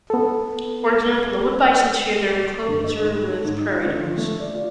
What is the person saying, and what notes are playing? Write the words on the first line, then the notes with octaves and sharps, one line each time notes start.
For example, the wood bisons share their enclosure with prairie dogs.
B3 A4
G2
D#5
G#2
A4
G#2
D#4
F4
D2
F3
A3
D5
F4